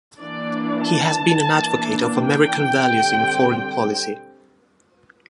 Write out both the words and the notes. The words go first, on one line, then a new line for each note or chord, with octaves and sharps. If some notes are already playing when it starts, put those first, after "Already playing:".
He has been an advocate of American values in foreign policy.
E3 A#3 D4 D5
A5
E3 A#3 D4
G5
D3 G3 C4